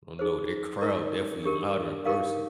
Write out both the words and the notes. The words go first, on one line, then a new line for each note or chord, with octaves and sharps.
I don't know, that crowd definitely louder in person.
D#4 G#4 C5
D#4 A#4
D4 G4 A#4
D#4 G4 A#4 F5